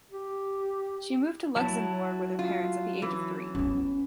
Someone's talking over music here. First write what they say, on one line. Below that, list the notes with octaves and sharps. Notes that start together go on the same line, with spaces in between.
She moved to Luxembourg with her parents at the age of three.
G4
F#3 E4 A5
F4
E3
B3 C#4